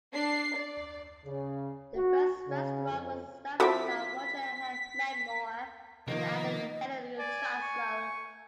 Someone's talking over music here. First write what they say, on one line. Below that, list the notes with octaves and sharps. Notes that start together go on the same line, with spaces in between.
The first restaurant was established by Roger Meadmore and Allen and Helen Trachsel.
D4 C7
D5
C#3
F#4
C#3
F2
F3 C4 E4 F#4 A4 D6 B6
C3 D#3 F3 A#3 D#5
D5 G#5
C#6